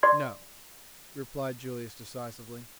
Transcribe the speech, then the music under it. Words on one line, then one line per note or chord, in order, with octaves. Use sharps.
"No," replied Julius decisively.
D5 C6 G#6